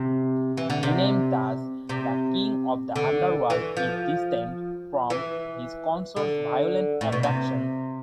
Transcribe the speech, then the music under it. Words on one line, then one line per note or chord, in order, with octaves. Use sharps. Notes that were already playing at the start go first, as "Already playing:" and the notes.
Renamed thus, the king of the underworld is distanced from his consort's violent abduction.
Already playing: C3
E3
D3
C3
C3
D3
E3
F3
E3
D3
A2
B2
C3